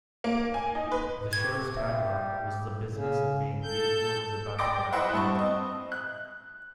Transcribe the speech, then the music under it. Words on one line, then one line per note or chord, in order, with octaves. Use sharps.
The show's tagline was The business of being beautiful is about to get ugly.
A#3
G#5
D#4
B4
F#4 G4 A4 G#6
G3 E5
C#3
A4 G6
D5 G5 C6 D6 A#6 D7
E4 B4 C5 D#5 E5 F#5
G2 A5 C#6
C4 D#5
F#6